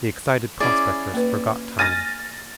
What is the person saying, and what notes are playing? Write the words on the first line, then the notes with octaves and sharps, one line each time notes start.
The excited prospectors forgot time.
C#4 E4 G#4 D5
A#3 B4
G#5 F6 A6 A#6 D#7